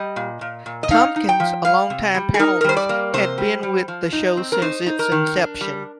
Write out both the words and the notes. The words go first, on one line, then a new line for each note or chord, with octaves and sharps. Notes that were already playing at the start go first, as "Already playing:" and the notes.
Tompkins, a long-time panelist, had been with the show since its inception.
Already playing: G3 D#5
A#2
A#2
A#2
D#5
D#4 F5
D#4
G5
F3
G3 F5
C3
G3
G#4
D#4 A#4
A#4
G3 C5
D5
A#3
C3 C5
G3
G3
F3
D#4
C4
A#4
D#4 C5
D#4
A#4
D#3
D4
G3